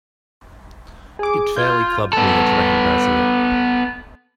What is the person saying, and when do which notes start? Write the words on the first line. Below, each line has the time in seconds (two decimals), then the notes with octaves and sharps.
It fairly clubbed me into recognizing it.
1.19 G#4 D6
1.56 F4 G6 G#6
2.13 B3 A4